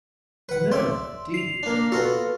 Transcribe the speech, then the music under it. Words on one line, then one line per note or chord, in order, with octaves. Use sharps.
"No, indeed!"
B4 F#5
D5 E5 C6
C7 F7
A#3 D4
B3 F4 F#4 A4